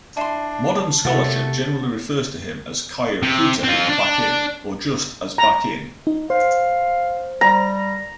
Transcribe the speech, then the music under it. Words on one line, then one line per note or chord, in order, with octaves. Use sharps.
Modern scholarship generally refers to him as Kyokutei Bakin, or just as Bakin.
D4 E4 A5 C6 C7 E7
C3 A3 F#4 A6 C#7
C3
C4 F4
D4
A#5
D#4
C5 F5
G3 A#5